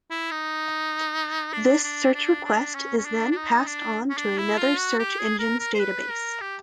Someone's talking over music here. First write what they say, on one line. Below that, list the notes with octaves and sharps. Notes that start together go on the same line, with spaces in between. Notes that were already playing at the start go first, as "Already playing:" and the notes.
This search request is then passed on to another search engine's database.
E4
D#4
D4
D4
D4
D4
C#4
C#4
D4
D4
D#4
D4
C#4
D4
E4
F4
F#4
G4
G#4
A#4
A#4
C5
B4
A#4
G4